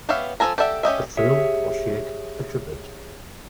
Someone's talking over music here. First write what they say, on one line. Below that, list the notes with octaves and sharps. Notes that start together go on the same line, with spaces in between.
A trill, or shake a triplet.
B3 G4 C#5 E5 F5
F3 A#3 A4 G#5 A#5
G4 A4 D5 E5 F#5
C#4 G4 D#5 E5
G4 G#4 C#5 E5